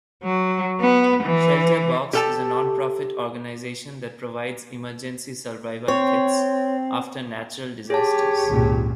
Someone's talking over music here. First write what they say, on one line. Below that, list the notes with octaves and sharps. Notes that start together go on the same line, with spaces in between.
Shelter Box is a non-profit organization that provides emergency survival kits after natural disasters.
F#3
B3
E3
G4 A4 A5
C4 C#5
G4 G#4 C#5 A5
G#1 C#2 A#2